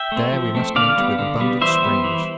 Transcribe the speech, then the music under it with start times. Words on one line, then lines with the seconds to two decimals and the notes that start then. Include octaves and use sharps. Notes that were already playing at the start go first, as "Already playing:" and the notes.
There we must meet with abundant springs.
Already playing: E5 G5
0.12 A3 C4
0.33 F3
0.55 A3 C4
0.76 D3 D5 F5
0.97 G3 B3
1.19 D3
1.40 G3 B3
1.61 E3 C5 E5
1.83 G3 B3
2.04 E3